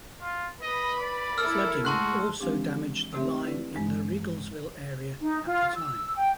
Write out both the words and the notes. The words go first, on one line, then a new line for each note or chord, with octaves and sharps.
Flooding also damaged the line in the Riegelsville area at the time.
F4
B4 D#5 B5
D5
E4 A4 A#4 E6 F6
A2 G#3 F#4 A5 C6 F#6
E3 F3 G#3 C4 D4 G4
C3 A3 C4 G4 E5
E4 B4 D5
G2 E3 G#3
D#4
F4
E6
G5